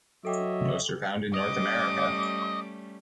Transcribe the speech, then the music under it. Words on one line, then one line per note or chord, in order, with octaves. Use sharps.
Most are found in North America.
F#3 A4 C#5 D#5 E5 G5 D6
G3 A3 C#4 D#5 D6